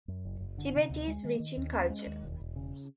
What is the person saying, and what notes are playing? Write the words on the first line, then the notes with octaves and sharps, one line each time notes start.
Tibet is rich in culture.
F#2
F#1
F#1
D3
C3
D2
G#3
D#3
D#3
D#2
C#4
G#3
D#2
E1
E1
C#3